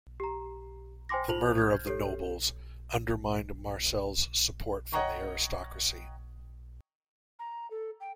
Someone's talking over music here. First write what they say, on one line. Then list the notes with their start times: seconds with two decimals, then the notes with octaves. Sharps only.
The murder of the nobles undermined Marcel's support from the aristocracy.
0.20 G4 A#5
1.09 C5 G5 G#5 C6 D6 A#6
1.28 F4 C5 A5 F7 F#7
1.58 F6 G6 G#6
1.87 G4 A4 C#5
4.92 C#5 D#5 F#5 G5 A#5 C#6
7.39 A#5
7.70 A4
8.00 G5